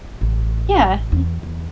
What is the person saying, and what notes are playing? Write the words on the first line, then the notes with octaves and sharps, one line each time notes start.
Yeah, y
A1
E2
E2